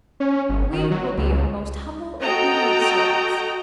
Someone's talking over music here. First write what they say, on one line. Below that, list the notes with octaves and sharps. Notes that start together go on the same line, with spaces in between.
We will be her most humble obedient servants.
C#4
G1
D#3
F#3
C#2
F#4 A4 D#5 G5 A#5